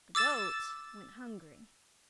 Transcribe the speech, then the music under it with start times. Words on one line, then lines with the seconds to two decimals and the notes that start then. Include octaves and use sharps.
The goat went hungry.
0.15 D6 E6 A6 E7